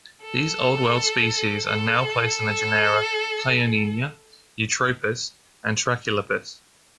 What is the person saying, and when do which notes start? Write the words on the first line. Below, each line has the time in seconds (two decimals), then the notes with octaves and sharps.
These Old World species are now placed in the genera "Chioninia", "Eutropis", and "Trachylepis".
0.22 A4
1.66 A4